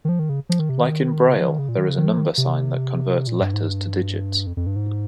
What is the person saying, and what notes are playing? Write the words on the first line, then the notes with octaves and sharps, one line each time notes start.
Like in braille, there is a number sign that converts letters to digits.
D#3
F3
D#3
C#3
F3
D#3
C3
D#3
C#3
F3
D#3
C#3
A#2
D#3
C#3
D#3
F3
D#3
C3
A#2
G2
G#2
G2
F2
F2
G2
G#2